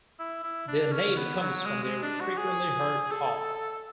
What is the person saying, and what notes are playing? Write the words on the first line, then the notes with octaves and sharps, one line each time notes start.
Their name comes from their frequently heard call.
E4
E4
D4
C#4
B3
F#3
G#3
G#3
D4
F#4
G#4
A4